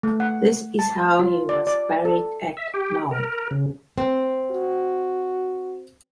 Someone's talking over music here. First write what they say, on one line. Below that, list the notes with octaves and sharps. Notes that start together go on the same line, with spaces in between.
This is how he was buried at Meaux.
A3
F#5
A5
F4
D5
D5
A4
E5
G4
A#4
C#3
C4
F#4